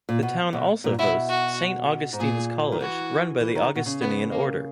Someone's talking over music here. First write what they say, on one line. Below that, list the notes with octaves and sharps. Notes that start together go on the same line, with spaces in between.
The town also hosts Saint Augustine's College, run by the Augustinian Order.
A#2
B2
B2
A#2
B2 E4
F#4
G#2
A#2 G#4
D#3
E3 F#4
E3
D#3
B2
C#3
B3
A#3